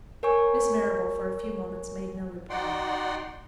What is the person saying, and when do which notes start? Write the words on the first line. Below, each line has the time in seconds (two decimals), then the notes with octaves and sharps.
Miss Marrable for a few moments made no reply.
0.23 A#4 C#5 G#5 C#6
2.50 D#4 F#4 D5 F#5 G5 C6